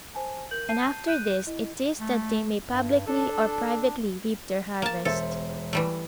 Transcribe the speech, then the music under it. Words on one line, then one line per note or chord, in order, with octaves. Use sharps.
And after this it is that they may publicly or privately reap their harvest.
C5 G#5 A5
A#4 G6 F#7
A5 G6 C7 D#7
F#6 G6 D#7
E4 D#5
A3
G2
D4 A4
A#3 A5
E1 A4 C5 E5
E3 G3 A3